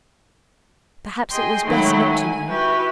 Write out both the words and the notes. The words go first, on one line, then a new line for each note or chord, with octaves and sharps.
Perhaps it was best not to know.
G#4 D#5 G5 C6
D#3 F#3 G#3 A3 E4
G#5
E4 F#4 G4 B4